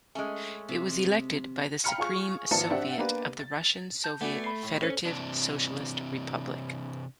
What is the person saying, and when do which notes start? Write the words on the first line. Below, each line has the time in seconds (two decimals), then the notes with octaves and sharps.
It was elected by the Supreme Soviet of the Russian Soviet Federative Socialist Republic.
0.15 G#3 A3 C#4
0.68 C3
1.84 F5 G5 A#5 B5 F6 C#7
1.98 F4 G#4 C#6
2.51 G#1 F3 B3 E5 A5 C#7
2.70 C4 D4 G4 E5 F#5
2.98 A#3 B3 D4 G4 B4
3.39 A6
4.04 A5 G6
4.21 A3 B3 F#4 D5 F#5 G#5
4.44 B5 C7
4.63 A2
4.83 C#4 A4 C5
5.05 C3 E3 C4 D4